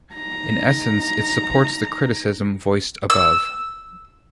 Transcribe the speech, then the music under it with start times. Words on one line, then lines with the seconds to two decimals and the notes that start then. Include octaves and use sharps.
In essence it supports the criticism voiced above.
0.15 D#4 A#5
3.10 E6